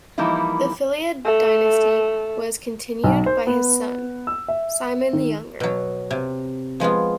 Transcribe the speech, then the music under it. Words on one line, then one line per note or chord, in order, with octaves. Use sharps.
The Philaid dynasty was continued by his son, Cimon the Younger.
E3 F3 G3 A#3 D#4 E4
A3
B1
C5
B3
E6
E5
D#3
B2 F#3
C3
F3 G#3 B3 F4